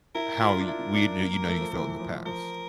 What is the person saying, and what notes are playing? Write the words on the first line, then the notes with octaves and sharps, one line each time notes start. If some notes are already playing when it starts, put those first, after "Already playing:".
how y we knew you know, you felt in the past."
E4 A#4
F4
D4
E4 A#4
D4
A#3
A#3
A3
F3
E3
F3
F3 A#4